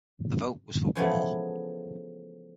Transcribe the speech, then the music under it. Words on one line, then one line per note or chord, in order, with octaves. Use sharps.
The vote was for war.
C#3 E3 F3 G#3 A3 B3